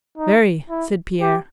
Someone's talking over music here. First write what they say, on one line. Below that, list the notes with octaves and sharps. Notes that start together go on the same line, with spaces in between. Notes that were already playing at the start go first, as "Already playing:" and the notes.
"Very," said Pierre.
D#4
E4
G4